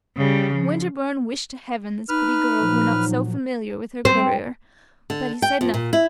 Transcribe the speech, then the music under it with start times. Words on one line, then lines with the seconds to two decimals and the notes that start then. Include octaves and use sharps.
Winterbourne wished to Heaven this pretty girl were not so familiar with her courier; but he said nothing.
0.16 C#3 G3
0.53 F3
2.09 D#4 B4 F6
2.59 A#2 F3 F#3
4.05 C4
5.10 D3
5.42 G5
5.61 F2
5.74 A#2
5.93 E4